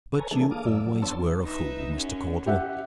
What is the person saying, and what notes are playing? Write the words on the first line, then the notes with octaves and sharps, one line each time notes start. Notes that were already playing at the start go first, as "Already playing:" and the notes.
But you always were a fool, Mr. Caudle!
A4 B4 C#5 G#5 A#5
E3 A3 A#3 D4 G#4 A4
A#3 F5 D6 D#6
F#2 D5 E6
F3 F#3
B3 D4 C#5 A5 C6 E6
D#4 B4 E5
F#2 C#4
C#4 G4 E5 F#5